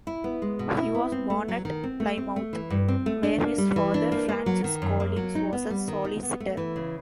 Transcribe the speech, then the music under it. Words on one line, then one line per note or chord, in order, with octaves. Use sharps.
He was born at Plymouth, where his father, Francis Collins, was a solicitor.
E4
B3
G#3
B2
E4
B3
C4
A3
F#3
D#3
C4
A3
C4
A3
E3
G2
C4
A3
D4
A#3
G3
E3
D4
A#3
A#3
F#3
D#3
F#2
A#3
F#3
D#4
B3
G3
D#3
D#4
B3
A3
E3
C#3